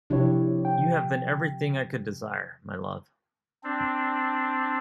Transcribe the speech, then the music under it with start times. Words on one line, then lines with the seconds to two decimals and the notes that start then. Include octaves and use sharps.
You have been everything I could desire, my love.
0.10 C3 F3 D4 E4 G4 C#5
0.65 G5
3.64 C4 D4